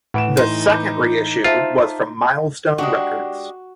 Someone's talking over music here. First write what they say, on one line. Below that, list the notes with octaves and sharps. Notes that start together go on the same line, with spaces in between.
The second reissue was from Milestone Records.
A2 E3 F#5 D7 E7
D#4 C6 A#6
B5 D6 G6
F4 C5 E5 A5
G#3 D4 F#4 G4